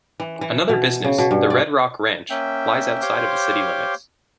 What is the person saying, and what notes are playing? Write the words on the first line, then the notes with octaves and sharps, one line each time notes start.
Another business, the Red Rock Ranch, lies outside of the city limits.
E3
E3
B2
C#3
B2
G2
D5
A#3 C#4 E5 G5
G4 C5 C#5 F5 C6 D6